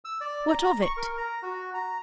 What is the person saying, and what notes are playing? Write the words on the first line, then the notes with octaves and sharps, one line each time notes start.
What of it?'
E6
D5
A#5
C#6
A#4
A#5
F#4
A#5